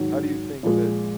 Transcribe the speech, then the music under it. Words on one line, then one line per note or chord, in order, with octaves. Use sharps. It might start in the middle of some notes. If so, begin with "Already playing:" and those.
How do you think that
Already playing: G#2 D#3 F#3
A#2 F3 G#3